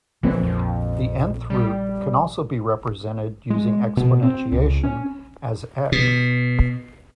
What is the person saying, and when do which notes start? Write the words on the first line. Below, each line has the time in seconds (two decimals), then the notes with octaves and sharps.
The "n"th root can also be represented using exponentiation as "x".
0.23 A#1 E3 A#3 C4
0.43 F2
1.50 G3
3.50 G#3
3.97 B2
4.23 C4
4.52 C#2
4.83 C#4
5.92 B2